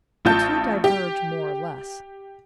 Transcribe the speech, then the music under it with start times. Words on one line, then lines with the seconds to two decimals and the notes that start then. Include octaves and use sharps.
The two diverge more or less.
0.25 A1 F4 A5 G6
0.84 G4